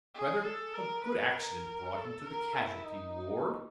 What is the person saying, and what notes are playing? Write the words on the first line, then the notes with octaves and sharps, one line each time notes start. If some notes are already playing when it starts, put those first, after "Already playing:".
Rather a good accident brought into the casualty ward.'
G#4
A4
A#4
B4
A#4
A4
A#4
E4
D#4